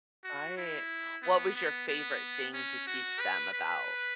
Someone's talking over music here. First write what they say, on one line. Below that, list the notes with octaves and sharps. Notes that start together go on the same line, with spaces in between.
Right. What was your favorite thing to teach them about,
F#4
E4
B3
B3
B3
C#4
F#4
B4
B4